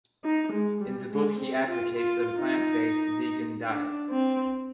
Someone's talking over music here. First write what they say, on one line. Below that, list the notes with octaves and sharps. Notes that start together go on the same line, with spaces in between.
In the book he advocates a plant-based vegan diet.
D#4
G#3
G3
G#3
C4
F4
F4
D#4
D4
C4